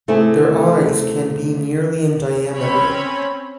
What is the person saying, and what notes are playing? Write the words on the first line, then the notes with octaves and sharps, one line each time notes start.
Their eyes can be nearly in diameter.
C3 A3 C4 E4 G#4
C4 C#4 C#5 B5